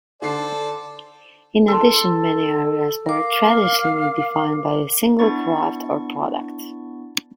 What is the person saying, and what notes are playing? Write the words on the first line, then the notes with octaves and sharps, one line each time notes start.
In addition, many areas were traditionally defined by a single craft or product.
D3 A4 C5 D5 C7
A4 C6
A#4 F5 D6
B3 D4 E4 C#6 A6